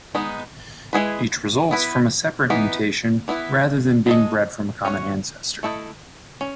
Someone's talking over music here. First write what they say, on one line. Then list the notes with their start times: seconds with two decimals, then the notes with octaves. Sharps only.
Each results from a separate mutation rather than being bred from a common ancestor.
0.15 G#3 B3 D#4
0.93 G#3 B3 E4 G#4 B4
1.71 B3 E4 B4
2.50 E3 B3 D#4
3.28 E3 B3 E4
4.06 G#3 B3 E4 A4 D#5
4.85 C#4 F#4 C#5
5.63 A3 E4 A4 D#5
6.41 C#4